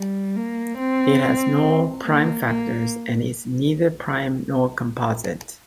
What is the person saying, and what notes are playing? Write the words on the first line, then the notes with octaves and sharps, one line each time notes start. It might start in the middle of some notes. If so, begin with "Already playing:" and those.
It has no prime factors and is neither prime nor composite.
Already playing: G3
A#3
C4
A#3
A#3